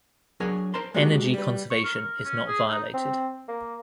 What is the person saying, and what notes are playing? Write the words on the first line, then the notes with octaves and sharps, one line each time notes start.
Energy conservation is not violated.
F#3 D4 G#4 A#4 C#5
A#4 C5 A5 A#5 C6
G#3 A#3 D4 D#4 F#4 G4
G3 B4
C#6
A#4
A#4
C#4
G#4
D#4
C4
A#3